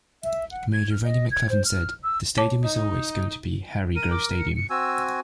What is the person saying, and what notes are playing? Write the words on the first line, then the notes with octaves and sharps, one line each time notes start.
Mayor Randy McClement said, The stadium is always going to be Harry Grove Stadium.
E5
F#5
G#6
F6
D#5
G#6
C5
F6
E6
C#5 A5 D6
D#4
A#4 D#7
D6
C#7
C#7
C4 F#4 G#5 E6